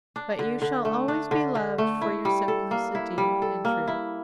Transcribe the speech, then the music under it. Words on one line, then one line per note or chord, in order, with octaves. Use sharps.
But you shall always be loved for your simplicity and truth.
D4
D3
D3
A3
D4
D3
D3
A3
E4
G3
A4
A#3
E4
G3
A4
A#3
E4